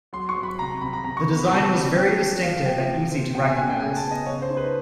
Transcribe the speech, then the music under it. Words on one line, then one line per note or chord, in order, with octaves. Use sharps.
The design was very distinctive and easy to recognise.
F#3 C6
C#6
F#3
B5
C3 A#5
C3 B5
A#5
C3 A#5
C#6
B3
B5
C3 A5
C#4
F#3 G5
F#3
F3 F5
F3 G5
C3
C4
B2 G5
G#5
C#4 G#5
G5
C#3 G#5
A5
B3
D#5
C#3 C#5
C5
D#4
B4